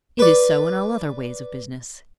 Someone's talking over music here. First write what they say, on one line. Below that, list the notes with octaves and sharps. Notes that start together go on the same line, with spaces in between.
It is so in all other ways of business.
B4 D5